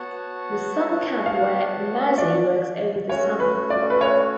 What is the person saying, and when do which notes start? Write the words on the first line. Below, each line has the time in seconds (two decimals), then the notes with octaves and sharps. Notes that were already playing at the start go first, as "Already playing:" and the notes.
The summer camp where Maddie works over the summer.
Already playing: B3 F#4 C#5 F#5 A5
1.26 F5
2.18 D5
3.09 A3 C#4 F#4 C#5
3.40 B4
3.70 D5
3.90 B4
4.01 C#5